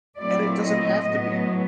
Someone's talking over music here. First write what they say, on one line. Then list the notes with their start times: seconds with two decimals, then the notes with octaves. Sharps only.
and it doesn't have to be.
0.19 A#2 F#3 A3 C4 E4 D5
0.64 D#5
1.07 A2 F#3 B3